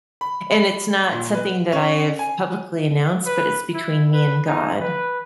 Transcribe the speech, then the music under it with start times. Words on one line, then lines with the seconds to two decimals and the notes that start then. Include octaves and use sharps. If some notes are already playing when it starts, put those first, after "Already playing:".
and it's not something that I have publicly announced, but it's between me and God.
0.21 B5
0.51 B5
1.12 A#2
1.34 B4
1.72 C#4
2.19 G#5
3.26 B4
3.74 E4
4.13 B4
4.46 D#4
4.80 B4